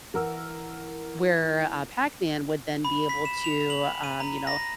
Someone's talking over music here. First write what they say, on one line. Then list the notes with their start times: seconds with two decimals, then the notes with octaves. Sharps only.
where, uh, Pac-Man would then be able to, um, you know,
0.14 E3 A#4 F#5 E6
2.85 B5
3.09 B6
3.25 E7
3.44 F7
3.70 F#7
4.04 D#7
4.20 A#5
4.47 A#6